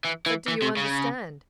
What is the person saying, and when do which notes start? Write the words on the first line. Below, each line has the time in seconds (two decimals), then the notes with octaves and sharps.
"But do you understand?"
0.05 E3
0.26 E3
0.48 E3
0.62 C3
0.77 C#3